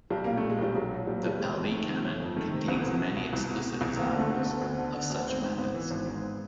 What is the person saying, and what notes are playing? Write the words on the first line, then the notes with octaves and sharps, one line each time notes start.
The Pali Canon contains many explicit examples of such methods.
B1 G3
A#2 A#3
A3
A#2
G#3
B1 G3
B1 F#3
A#2
A#2 G3
F#3
B1 G3
G1 G#3
F2
D#3 A3
C3
G1
F2
D#3 A3
C3
C2 B3
B2
B2
C2
C2
B2
B2
C2
D2 A#3
D3
A3
D3 C4
B3
D2
D2
D3
D3
D2
G#1 C4
G#2
G#1 B3
E3
G#1
G#2